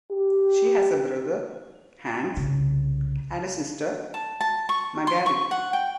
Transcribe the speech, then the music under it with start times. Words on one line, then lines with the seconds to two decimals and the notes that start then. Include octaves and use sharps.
She has a brother, Hans, and a sister, Magali.
0.11 G4
2.37 C2 C#3
4.14 A5
4.41 A5
4.69 C#6
5.07 C6
5.26 C#6
5.51 F#5
5.73 G5